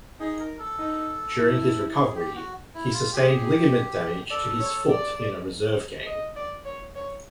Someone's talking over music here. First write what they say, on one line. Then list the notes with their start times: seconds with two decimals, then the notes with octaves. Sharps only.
During his recovery, he sustained ligament damage to his foot in a reserve game.
0.20 D#4 G#4
0.40 A#4
0.59 A4
0.78 D#4
1.37 E4
1.96 G#4
2.15 G4
2.35 F#4
2.75 E4
2.93 F4
3.13 G4 G#4
4.30 A4 D5
4.60 C#5
4.89 D5
6.06 D#5
6.36 D5
6.65 C#5
6.95 C#5